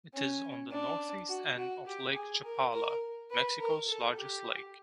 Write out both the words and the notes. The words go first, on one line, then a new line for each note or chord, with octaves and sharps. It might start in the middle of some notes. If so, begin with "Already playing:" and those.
It is on the northeast end of Lake Chapala, Mexico's largest lake.
C#4
D4
F#4
F#4
G4
G#4
A#4
A#4
B4
A#4
A4
G4